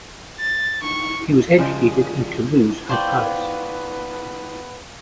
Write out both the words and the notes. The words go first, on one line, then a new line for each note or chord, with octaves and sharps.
He was educated in Toulouse and Paris.
A6
C#6
C#3 F3 G3 G#3
B3 B4 C5 D5 F5 G5 A5 C#6